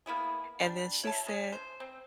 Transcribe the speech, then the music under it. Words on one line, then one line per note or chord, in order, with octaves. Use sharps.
and then she said,
A#3 B3 E4 G#4
G3 D4
C#5 E5 A5
G#3 C#4
C5
C4